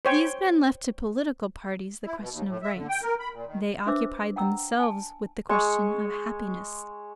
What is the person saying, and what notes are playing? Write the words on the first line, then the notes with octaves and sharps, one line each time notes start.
These men left to political parties the question of rights, they occupied themselves with the question of happiness.
C5 C#5 G5
E4
B2
D#2
A2
E5
D3
G5
A#4
B5
A#2
D#3
D4 B4 C5 E5 D6 E6
F#5 G5 A#5 E6
G#5 A5
G#3 C#6